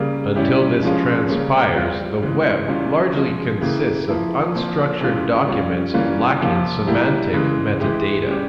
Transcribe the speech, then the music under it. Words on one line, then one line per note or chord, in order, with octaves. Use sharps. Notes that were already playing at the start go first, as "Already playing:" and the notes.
Until this transpires, the web largely consists of unstructured documents lacking semantic metadata.
Already playing: C#3 G3 A#3
G3 C#4 E4 G4
F3 G#3 C#4 F4
C#3 G3 A#3 C#4
G3 C4 F4
C#3 E3 G#3
C3 E3 G3 C#4 F4
F3 G#3 C#4
C#3 E3 A#3 E4 G4
F3 A#3 E4
A#2 F3 C4
C3 E3 G#3 C#4 F4
G3 C#4 F4
E3 G3 A#3 C#4 F4
C3 F3 A#3 F4
G3 A#3 E4 G4
C#3 E3 G#3
E3 G#3 E4 G4
G3 C#4 G4